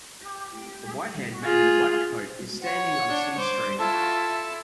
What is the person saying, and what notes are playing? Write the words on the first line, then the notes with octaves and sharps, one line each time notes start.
A whitehaired man in a black coat is standing on a city street.
F4 G#4
C#5 F#5
D4
C5 D6
E4 F4 A4 A5